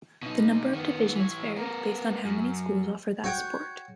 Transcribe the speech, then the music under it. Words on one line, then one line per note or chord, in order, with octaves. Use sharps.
The number of divisions vary based on how many schools offer that sport.
B2 D#4
D#3 B3
E3 C#5
B3 A#4
F#2
F#4 C#5 G5